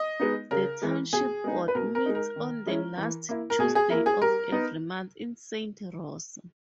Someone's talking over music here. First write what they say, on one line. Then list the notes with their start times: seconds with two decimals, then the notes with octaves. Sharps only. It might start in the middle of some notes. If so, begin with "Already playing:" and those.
The township board meets on the last Tuesday of every month in Saint Rosa.
Already playing: D#5
0.20 G#3 B3 D#4
0.51 C#3 A#4
0.82 E3 G#3
1.13 B2 G#4
1.44 G#3 B3 D#4
1.68 B4
1.75 B2 A#4
1.95 A#4
2.06 G#3 D#4
2.15 A#4
2.36 D#3
2.66 G#3 C#4 E4
2.97 E3
3.29 A#3 E4
3.50 A#4
3.59 B2 G#4
3.75 G#4
3.90 A#3 E4 A#4
4.06 G#4
4.22 G3 A#4
4.52 B3 D#4